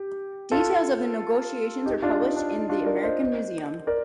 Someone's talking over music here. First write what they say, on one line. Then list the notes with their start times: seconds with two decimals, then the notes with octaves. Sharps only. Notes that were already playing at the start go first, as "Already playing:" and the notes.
Details of the negotiations were published in "The American Museum".
Already playing: G4
0.52 F4 A4
1.86 D#4 G4
2.02 D4 F4
2.20 D#4
2.36 D4
2.53 D#4
2.69 D4 F4
2.86 A#4 D5
3.03 C5 D#5
3.87 A#4 D5